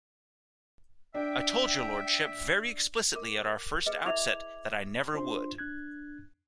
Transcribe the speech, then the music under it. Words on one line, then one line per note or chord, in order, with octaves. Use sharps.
I told your Lordship very explicitly at our first outset, that I never would.
D4 E5 G5
A#4 D6
G#4 B4 D#5
E4 E5 D6 G#6 F7
D4 F4 C5 C6
D4 F#6 G#6